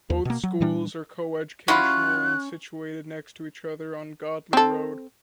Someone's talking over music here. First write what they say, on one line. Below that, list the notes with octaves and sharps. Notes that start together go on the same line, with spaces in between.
Both schools are coeducational, and situated next to each other on Godley Road.
D#2
B2 A#3
F#3
A#2 E3 G3 D4
F#3 C#4 E4 F4 F#6
C4 A4